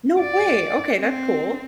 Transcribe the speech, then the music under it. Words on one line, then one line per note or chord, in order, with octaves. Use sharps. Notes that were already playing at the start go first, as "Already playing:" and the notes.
No way, okay, that's cool.
D5
C4